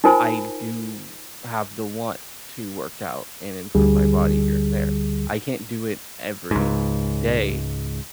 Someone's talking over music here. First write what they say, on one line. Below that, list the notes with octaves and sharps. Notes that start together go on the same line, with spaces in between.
I do have the want to work out and improve my body here and there. I can't do it every day
D#4 F4 A#4 C5 G#5 B5
D2 D3 G3 G#4
C#2 G#2